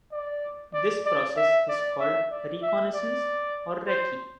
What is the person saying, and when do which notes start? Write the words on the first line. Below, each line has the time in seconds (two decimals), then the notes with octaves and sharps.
This process is called reconnaissance or recce.
0.12 D5
0.74 D5
1.06 D5
1.37 E5
1.69 D5
2.00 E5
2.31 D5
2.62 E5
2.94 D5
3.87 C5